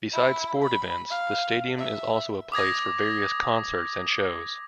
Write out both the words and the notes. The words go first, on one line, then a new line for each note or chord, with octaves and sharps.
Beside sport events, the stadium is also a place for various concerts and shows.
E4
B5
F5
E5
D6 D#6 G#6 A#6